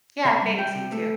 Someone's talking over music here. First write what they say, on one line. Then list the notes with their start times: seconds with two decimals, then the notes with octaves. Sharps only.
Yeah, thanks, you too.
0.25 C3 E5
0.41 G3
0.58 G3 G5
0.75 C3
0.92 A3 A4